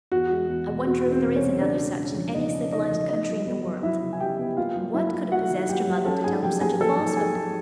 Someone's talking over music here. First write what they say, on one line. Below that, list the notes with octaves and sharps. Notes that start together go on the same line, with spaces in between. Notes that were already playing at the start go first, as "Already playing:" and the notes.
I wonder if there is another such in any civilized country in the world. What could have possessed her mother to tell her such a falsehood?
E2 F#4
G#3
E2
B2
E2 F#4
E2
C4 C5
B2
C#4 C#5
B2
C#3 D4 D5
G#3
C#4
F3
C#3 D#4 D#5
C#4
C#3 D#4 D#5
F3
B3 D#4 D#5
F#3
B3
F#3
F#3 E4 E5
C#3
G#5
F#3 G4 G5
B3
A#3 F4 F5
F#3
F#3 E4 E5
F#3
F#3 F#4 F#5
D#3
F#3 G4 G5
F#3
C#4 A4 A5
G#2 G#4 G#5
F3 G4 G5
A#3 G#4 G#5
F3 A4 A5
G#2
G#2 G#4 G#5
A#3